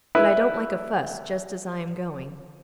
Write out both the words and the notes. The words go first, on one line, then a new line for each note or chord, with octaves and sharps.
But I don't like a fuss just as I am going.
E4 B4